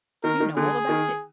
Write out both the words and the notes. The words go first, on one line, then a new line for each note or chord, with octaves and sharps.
You know all about it.
D#3 A#4
D#3
D3 G#4
D#3